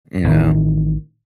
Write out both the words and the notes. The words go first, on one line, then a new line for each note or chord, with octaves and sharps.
you know?
A1 A2 D3 D#3